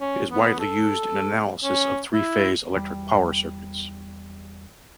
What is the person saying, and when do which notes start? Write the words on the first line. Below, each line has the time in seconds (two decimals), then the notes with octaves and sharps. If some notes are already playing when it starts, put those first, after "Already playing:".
It is widely used in analysis of three-phase electric power circuits.
0.01 C#4
0.31 B3
0.59 A4
1.64 C#4
2.13 E4
2.75 E2 G3